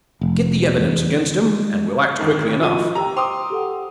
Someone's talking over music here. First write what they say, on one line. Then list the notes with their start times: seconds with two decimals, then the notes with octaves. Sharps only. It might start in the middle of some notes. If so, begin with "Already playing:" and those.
"Get the evidence against him, and we'll act quickly enough."
0.21 F1
0.77 E2
1.45 G#3
2.19 G#1 D#3
2.61 F3 F#4 D#5 G#5 D#7
2.95 G4 G5 A#5 E6
3.16 C5 G5 C6 D6 D#6 F7
3.50 G4 A4 F#5